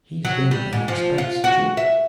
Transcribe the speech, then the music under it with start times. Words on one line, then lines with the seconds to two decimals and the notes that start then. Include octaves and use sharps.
He's been an expense too.'
0.25 F#3
0.51 G3
0.73 G#2
0.88 F3
1.18 F4
1.44 F#4
1.77 E5